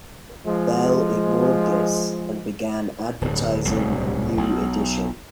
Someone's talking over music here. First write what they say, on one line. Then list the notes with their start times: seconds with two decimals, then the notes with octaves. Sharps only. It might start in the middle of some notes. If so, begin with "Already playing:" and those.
Bell ignored this and began advertising a "new edition".
0.45 F3 G#3
3.21 D1 G2
3.66 D1 G1 C2 B2
4.37 B1